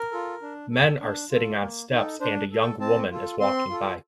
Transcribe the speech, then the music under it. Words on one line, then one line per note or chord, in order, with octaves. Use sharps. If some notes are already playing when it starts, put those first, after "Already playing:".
Men are sitting on steps and a young woman is walking by.
Already playing: A#4
F4 A4
D4
A4
D4
F4 A4
A#3
D#4 A4
D4 C5
A4
G5
C4 A5
F4 A4
C4 C6
F4 A4